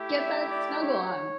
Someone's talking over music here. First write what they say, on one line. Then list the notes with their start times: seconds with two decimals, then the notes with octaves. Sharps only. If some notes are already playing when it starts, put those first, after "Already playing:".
get that snuggle on.
Already playing: A3 E4 G4
0.18 E5
0.49 D5
0.80 C#5